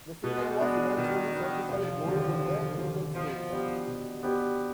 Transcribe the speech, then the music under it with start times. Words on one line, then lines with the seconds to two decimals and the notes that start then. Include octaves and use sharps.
The single was eventually certified gold in the United States.
0.24 B2 B3
0.37 G#3
0.49 G3
0.60 G#3 B3 D4
0.96 B2 D#3
1.33 B3 D4
1.69 F1 F3
2.06 D#2 D3
2.42 F1
2.78 D#2 D3
3.14 B2 F3
3.50 B3 D4 G4 C5
3.87 B2
4.23 B3 D4 G4 C5